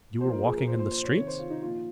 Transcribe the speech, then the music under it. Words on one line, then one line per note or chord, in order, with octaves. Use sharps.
"You were walking in the streets?"
A#2 F3 C5
A#4
G#4
A#4
A#2 F3 C5
C5
C5
C#5
C3 D#3 C#5
C5
F4
D#4
A#2 F3 F4